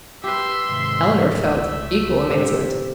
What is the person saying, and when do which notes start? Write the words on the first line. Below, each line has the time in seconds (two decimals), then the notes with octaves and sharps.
Elinor felt equal amazement.
0.24 G4 B4 E5 C6
0.65 G#2 C3 D#3
1.39 C#2 A3 E5
2.30 A2 C3 G#3 A#3